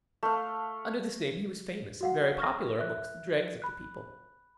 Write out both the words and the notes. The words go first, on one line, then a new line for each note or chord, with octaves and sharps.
Under this name he was famous and very popular amongst the dregs of the people.
A3 F5
F#4 F5 F#5
C#6 F6 A#6
E5 F#6
B5 F#6